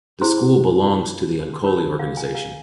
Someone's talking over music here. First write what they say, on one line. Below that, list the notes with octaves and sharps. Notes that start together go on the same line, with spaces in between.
The school belongs to the Uncoli Organization.
E4 G#4 C5 C6
C6
D#4 F#4 A#4 C#5 B5
F5
G#5
F5